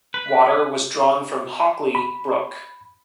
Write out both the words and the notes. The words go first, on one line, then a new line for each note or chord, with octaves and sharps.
Water was drawn from Hockley Brook.
B4
B5